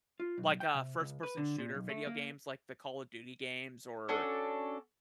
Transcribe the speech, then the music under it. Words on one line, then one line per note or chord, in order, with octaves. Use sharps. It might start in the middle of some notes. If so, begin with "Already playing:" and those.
like, uh, first-person shooter video games like the Call of Duty games or
F4
B1
G5
C3
C#2
B4
D3
A#2
B1
A3
A#3
C#4 D4 F#4 A4